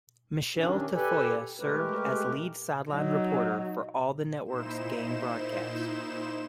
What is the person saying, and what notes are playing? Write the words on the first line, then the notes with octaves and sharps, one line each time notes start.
Michele Tafoya served as lead sideline reporter for all of the network's game broadcasts.
C3 D#3 C#4 D4
G4 A4 B4 D5 G#5
G#3 A3 G4 A#4 B4
F#3 D#4
A#2 D#4 E4 C5 E7